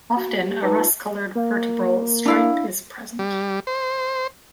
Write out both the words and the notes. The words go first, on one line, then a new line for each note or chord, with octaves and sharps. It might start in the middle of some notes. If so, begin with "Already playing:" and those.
Often a rust-colored vertebral stripe is present.
F#4
G4
G#3 D#4 B4 A5 A#5
F4 A5
A#3
D4 E4 F5
G3
C5